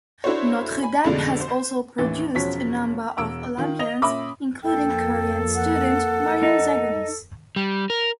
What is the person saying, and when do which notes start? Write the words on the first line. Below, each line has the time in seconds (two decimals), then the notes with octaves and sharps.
Notre Dame has also produced a number of Olympians, including current student Mariel Zagunis.
0.24 D4 E4 F#4 A4 C5 C#5
0.83 G#5 B5
1.04 A1 F2 B2 D3 G#3 D4
1.40 C5
1.98 A1 D#2 E3 A6
2.35 E1 F3 C#4 F#4 C#5 B6
3.18 E1 E6 D7
3.57 D#3 F4
3.79 D#5 A#6 F7
4.02 A#2 C#4 E5 B5 D6 D#6
4.63 F2 A#3 A4 G5
5.55 F#5
6.43 D#4
7.56 G3
7.90 A#4